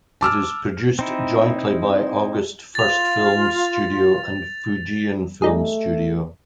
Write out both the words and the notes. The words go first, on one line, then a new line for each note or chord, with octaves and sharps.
It is produced jointly by August First Film Studio and Fujian Film Studio.
A5 D6 E6 F6
C4 D#4 E4
F4 A6 F7
G3 A3 D#4 G#4